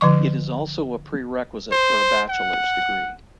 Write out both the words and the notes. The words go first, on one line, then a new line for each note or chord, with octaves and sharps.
It is also a prerequisite for a bachelor's degree.
D3 F3 C#6
C5
F#5